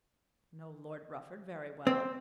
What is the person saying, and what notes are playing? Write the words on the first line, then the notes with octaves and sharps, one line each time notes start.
"Know Lord Rufford very well!"
C4